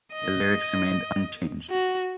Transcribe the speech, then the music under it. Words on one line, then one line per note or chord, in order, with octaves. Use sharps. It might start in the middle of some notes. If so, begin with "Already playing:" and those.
The lyrics remained unchanged.
D#5
F#4